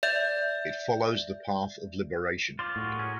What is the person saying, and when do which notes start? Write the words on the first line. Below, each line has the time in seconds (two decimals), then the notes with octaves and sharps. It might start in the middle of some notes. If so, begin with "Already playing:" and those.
It follows the path of liberation.
0.03 D5 E5 G6
2.59 F4 C5 D5
2.76 A2 F#4 G#4 A#4
2.99 C#4